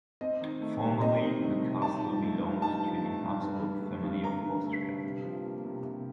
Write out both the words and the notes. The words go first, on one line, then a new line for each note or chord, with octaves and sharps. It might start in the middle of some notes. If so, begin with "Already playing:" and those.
Formerly the castle belonged to the Habsburg family of Austria.
C4 D#5
D#3
A3
C3
C4 D#5
D#3
A3
C3
D#4 A5
F3
A3
G2
D#4 A5
F3
A3
G2
G2
D3
A3
G2
G2 A#5
D3
A3
G2
C3
F3
A#3
C3
C3